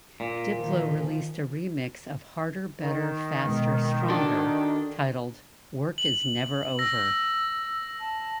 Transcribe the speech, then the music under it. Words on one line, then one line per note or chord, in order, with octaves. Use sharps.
Diplo released a remix of "Harder, Better, Faster, Stronger" titled "Work Is Never Over".
A#2
D#3 F3
D#3
B2 G#3 B3
D4 F#4 A4
F#7
E6 A#6
A5